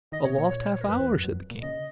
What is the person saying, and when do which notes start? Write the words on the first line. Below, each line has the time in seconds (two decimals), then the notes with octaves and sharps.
"A lost half-hour?" said the King.
0.12 D#3 D#5
0.25 B2 C#5
0.38 A#2 C#5
0.50 C#5
0.63 C#5
0.75 C#5
0.81 A#4
0.87 F#2 B4
0.99 E2
1.12 F#2
1.24 F#2
1.51 A#2
1.62 C#3 D#5